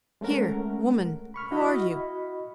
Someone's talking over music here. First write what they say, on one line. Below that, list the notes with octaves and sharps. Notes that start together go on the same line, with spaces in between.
Here! woman, who are you?
G#3 A3 C#4 A#4 F#5
B5 C#6 F6
E4 F#4 D#5 B5